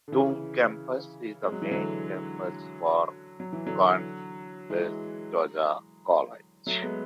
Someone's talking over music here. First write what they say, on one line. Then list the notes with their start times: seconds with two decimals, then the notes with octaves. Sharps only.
Doon Campus is the main campus for Conestoga College.
0.08 D3
0.12 C#3 E3
1.43 G#3
1.52 F#3
1.62 E3
1.71 D3 F#3
3.40 F#3
3.53 E3
3.67 D3 F#3
4.70 E3 G#3
6.67 F#3 A3
6.82 G#3 B3